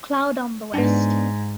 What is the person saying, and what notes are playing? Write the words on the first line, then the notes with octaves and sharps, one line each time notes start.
Cloud on the west.
G#2 B3 D4